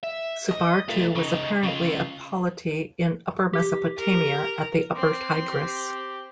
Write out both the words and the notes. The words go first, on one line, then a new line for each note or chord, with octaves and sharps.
Subartu was apparently a polity in Upper Mesopotamia, at the upper Tigris.
E5
D#5
A3 F4
C#3 D#4
C#3 F4
G4
A#4
C4 C6 D6
G4